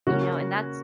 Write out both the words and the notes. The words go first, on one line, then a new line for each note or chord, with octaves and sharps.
you know, and that's
C#3 A#3 C#4 F#4